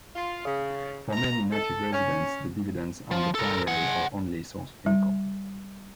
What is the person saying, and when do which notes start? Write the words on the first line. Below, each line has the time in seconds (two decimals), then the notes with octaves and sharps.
For many native residents the dividends are the primary, or only, source of income.
0.14 F4
0.44 C#3
1.12 A#5
1.53 A4
1.92 C#4
3.11 F3
3.35 A4 A#4
3.67 G#4 F#5
4.86 G3